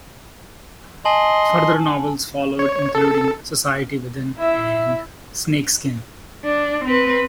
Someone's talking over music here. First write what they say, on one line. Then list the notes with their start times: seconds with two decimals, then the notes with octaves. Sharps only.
Further novels followed, including "Society Within" and "Snakeskin".
1.05 D#5 G#5 A5 C6 F#7
2.59 C#5
2.95 A4
4.37 E4 E5
6.45 D4
6.85 C4 B4